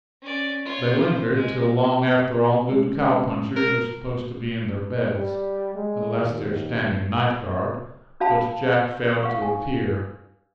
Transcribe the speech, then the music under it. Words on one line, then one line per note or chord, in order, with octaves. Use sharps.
They lingered till long after all good cowpunchers are supposed to be in their beds--unless they are standing night-guard--but Jack failed to appear.
C#4 D5
F4 C#5
C5
G#3
G#3 A3 C#4
A#4
G3
G#3
D#2
D4 F#4 F5 A5 B5
F5 C#6
G#5